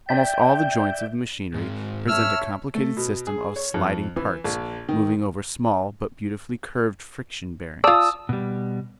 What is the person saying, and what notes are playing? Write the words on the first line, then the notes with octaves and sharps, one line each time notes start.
Almost all the joints of the machinery present a complicated system of sliding parts moving over small but beautifully curved friction bearings.
D5 E5 G5 G6
G#2 C4
C#5 E5 A5 E6 F6
A3
B2
G#4
C#5
F2
E3
A#1
D#3
F4 D5 A5 D#6 E6
B2 G3